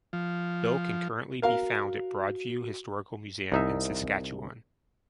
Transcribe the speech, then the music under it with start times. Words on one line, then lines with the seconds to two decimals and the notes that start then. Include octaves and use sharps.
Bill can currently be found at Broadview Historical Museum in Saskatchewan.
0.13 F3
1.42 F#4 A#4 F5
3.52 C2 D#4 E5